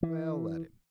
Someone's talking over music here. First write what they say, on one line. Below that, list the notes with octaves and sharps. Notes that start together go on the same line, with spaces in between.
"Well, let him."
E3